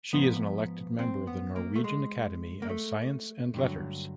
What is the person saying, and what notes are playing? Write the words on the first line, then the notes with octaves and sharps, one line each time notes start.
She is an elected member of the Norwegian Academy of Science and Letters.
G#2 F3 B3
C4
B3
A#3
A3
G#3
A#3
A3
G2 D3 F#3